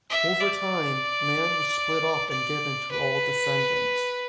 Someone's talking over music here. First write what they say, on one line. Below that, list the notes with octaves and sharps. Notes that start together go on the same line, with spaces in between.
Over time, land was split up and given to all descendants.
E5
D5
D5
B4